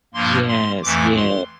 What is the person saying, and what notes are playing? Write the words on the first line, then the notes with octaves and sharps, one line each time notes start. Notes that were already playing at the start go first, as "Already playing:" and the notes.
Yes, yes,
G2 F3 A#3 C6
C6
F2 E3 A3 D6
C6